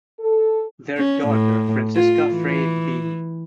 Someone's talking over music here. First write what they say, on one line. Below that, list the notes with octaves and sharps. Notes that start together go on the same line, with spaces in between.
Their daughter, Franziska Freide b.
A4
C#4
A2
F4
E3